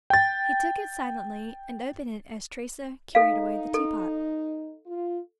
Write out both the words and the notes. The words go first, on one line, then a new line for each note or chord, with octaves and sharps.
He took it silently and opened it as Teresa carried away the tea-pot.
G5 A6
D#4 A4 F5
A4
F4